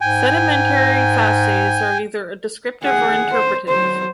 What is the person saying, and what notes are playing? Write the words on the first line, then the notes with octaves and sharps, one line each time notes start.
Sedimentary facies are either descriptive or interpretative.
G#2 G5 G#5
G#4 F#5
C5
F#3 C5